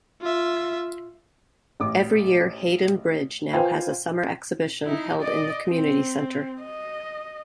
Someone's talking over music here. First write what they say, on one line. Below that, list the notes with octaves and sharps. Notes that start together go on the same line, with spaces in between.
Every year Haydon Bridge now has a Summer Exhibition held in the community centre.
F4 E5
A1 D6
F4 B4 C5 F5 G5 G#5
D#4 E4
D5 D#5
C4
D#5